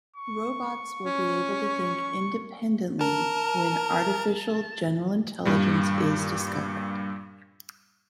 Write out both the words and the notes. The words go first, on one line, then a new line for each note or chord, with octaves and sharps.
Robots will be able to think independently when Artificial General Intelligence is discovered.
C#6
C#4
A#4 A5
G2 A#2 G3